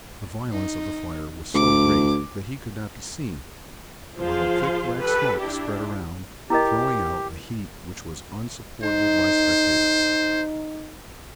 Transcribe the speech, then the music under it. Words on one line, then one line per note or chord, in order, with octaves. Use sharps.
The violence of the fire was so great that he could not be seen, while a thick black smoke spread around, throwing out a heat which was unsupportable by spectators.
D#4
D2 D6
F3 F4 G#4 C5 F5 C6
G4 A4 B4
D4 E4 G4
E4 G4 A#4 D#5
D#4 C5